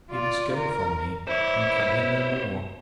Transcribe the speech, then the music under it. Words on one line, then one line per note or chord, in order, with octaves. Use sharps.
You must go from me, and come here no more.
F4 D5
A#4
E4 C5 C#5